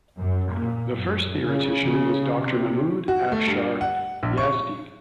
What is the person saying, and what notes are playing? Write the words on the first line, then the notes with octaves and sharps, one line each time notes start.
The first theoretician was Doctor Mahmoud Afshar Yazdi.
F#2
A#2
F#2
C#3
C#3
C3
F#4
A3
G2
F#5
A#1
C#6